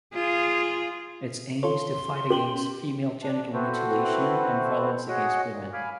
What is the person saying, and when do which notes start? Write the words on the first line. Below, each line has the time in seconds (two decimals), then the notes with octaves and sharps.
Its aim is to fight against female genital mutilation and violence against women.
0.14 F4 G#4
1.63 F4 A4 C#5 C6
2.30 C#4 G4 F#7 G7
3.23 D4
3.54 C4 E4 F#4 A4 B4 C5
5.09 F#4 G#4 C#5 D#5 F#5
5.50 D#2 A#2
5.73 F5 G#5 B5 D6 F6